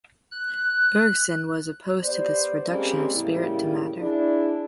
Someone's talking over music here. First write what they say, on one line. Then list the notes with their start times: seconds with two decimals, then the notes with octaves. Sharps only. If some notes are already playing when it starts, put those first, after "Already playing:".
Bergson was opposed to this reduction of spirit to matter.
0.31 F#6
2.02 B3 G4 C5 D5
2.68 G3 G#3 A#3 C4 C#4 G4
3.14 A2 C#3 G3 A#3 E4
3.98 D4 E4 G#4